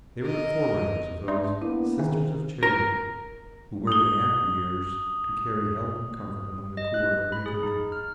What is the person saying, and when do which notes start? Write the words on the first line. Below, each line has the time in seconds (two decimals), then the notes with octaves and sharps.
They were the forerunners of those "Sisters of Charity" who were in after years to carry help and comfort among the poor of every country.
0.22 A#4 D#5
1.28 D4 D5 E5 C6
1.62 A#3 B3 E4
1.99 D#3 C4 G#4 A#4
2.63 A#4
3.87 D#6 G7
6.77 D#5
6.94 F#6
7.32 B5
7.46 G#4
7.63 D#4
7.92 F6